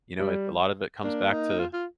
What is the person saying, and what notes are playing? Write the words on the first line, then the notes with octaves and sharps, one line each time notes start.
You know, a lot of it comes back to
G3
A#3 D4
D#4
F4
F4